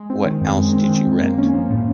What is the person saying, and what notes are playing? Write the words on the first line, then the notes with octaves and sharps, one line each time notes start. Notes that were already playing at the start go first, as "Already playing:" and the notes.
What else did you rent?
Already playing: G#3
C4
D#3
F#2
G#3
C4
D#3
F#2
A#3
C#4
F3
A2